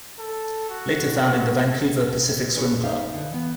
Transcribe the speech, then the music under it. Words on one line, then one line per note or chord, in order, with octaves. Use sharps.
Later founding the Vancouver Pacific Swim Club.
A4
F#4
B3
C#4 G#4 B4 C#5
A#3 D#4 E5 F5
D3 B4
E3 B3